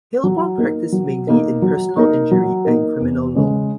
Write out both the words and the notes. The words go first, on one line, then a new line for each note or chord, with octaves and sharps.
Heilbron practised mainly in personal injury and criminal law.
F#3
A#3 D#4 A#4
F#3
A#3 D#4 A#4
F#3
A#3 D#4 A#4
F#3
A#3 D#4 A#4
E2
C#3 G#3 C#4